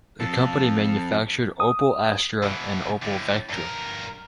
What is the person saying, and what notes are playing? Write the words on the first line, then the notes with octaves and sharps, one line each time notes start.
The company manufactured Opel Astra and Opel Vectra.
F2 A4
D#6
B2 E3
A2 D3
G2 A#4